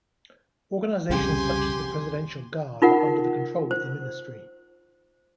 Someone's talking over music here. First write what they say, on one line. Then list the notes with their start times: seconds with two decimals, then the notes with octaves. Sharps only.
Organizations such as the Presidential Guard are under the control of the Ministry.
1.10 C2 F2 C#3 G4 G#5 C6
2.82 D#4 F4 A#4 F#5
3.71 C5